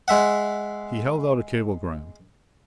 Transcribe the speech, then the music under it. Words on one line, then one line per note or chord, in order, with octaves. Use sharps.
He held out a cablegram.
G#3 E5 F#5